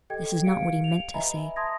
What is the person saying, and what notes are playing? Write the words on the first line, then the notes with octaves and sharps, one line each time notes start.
This is not what he meant to say.
G4 A4 D#5 G5 G#6
G4 F5 C#7 D7
F7
B4 D#5 E5 G#5 A#5 B5
A5 C6 D#6 G#6 A#6